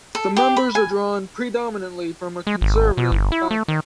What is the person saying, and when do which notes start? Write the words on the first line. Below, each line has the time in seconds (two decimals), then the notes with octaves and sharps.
The members are drawn predominantly from a Conservative background.
0.15 A4
0.36 G4
0.57 B5
0.75 G#5
2.47 G#3
2.61 G#1
2.97 B2
3.12 G1
3.32 E4
3.51 A3
3.68 D#3